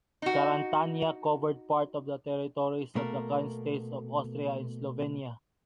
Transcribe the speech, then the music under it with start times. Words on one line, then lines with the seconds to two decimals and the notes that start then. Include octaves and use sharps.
Carantania covered part of the territories of the current states of Austria and Slovenia.
0.22 D#4 F#4
2.95 B2 A3 A#3 A#4